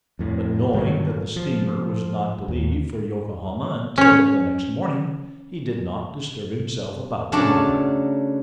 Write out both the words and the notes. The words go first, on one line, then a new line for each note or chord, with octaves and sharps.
But, knowing that the steamer was not to leave for Yokohama until the next morning, he did not disturb himself about the matter.
F2 A2
G2 D#3 E3 F#3
F3
D#2
C#4 C#5
C#3 F#3 A3 D4 D5 A5